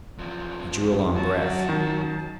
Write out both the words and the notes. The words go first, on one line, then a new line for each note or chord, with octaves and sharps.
He drew a long breath.
E2 F3
F#2 F#3 F#4 A5
D#3